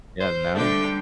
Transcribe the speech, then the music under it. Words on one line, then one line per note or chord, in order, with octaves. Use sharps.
Yeah, and now
C5
D3 G3 A3 D4 G5